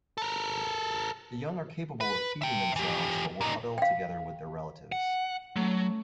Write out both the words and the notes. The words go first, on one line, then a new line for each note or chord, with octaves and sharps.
The young are capable of feeding themselves but will huddle together with their relatives.
A4 A#4
B4
E5 G5
E3 G4
A#2 D#4
F5 G5
F#5
F#3 A3 C#4